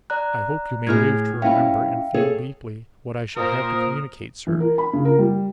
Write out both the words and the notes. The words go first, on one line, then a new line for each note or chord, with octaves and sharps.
I hope you may live to remember and feel deeply, what I shall have to communicate, Sir.'
D5 A#5 F#6
A2 E4 G#4 F6 G#6
G2 C#4 E4 E5 F5 G5
G#4 A4 C#5
A#2 A#4 C5 D#6
E3
A#4
B5
C#3
A#4
G3